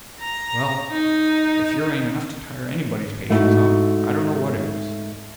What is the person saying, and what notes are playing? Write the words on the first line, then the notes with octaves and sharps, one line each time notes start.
Well, if yer ain't enough to tire anybody's patience out, I don't know what is!'
A#5
D#4
G#2 A3 D#4 E4 F#4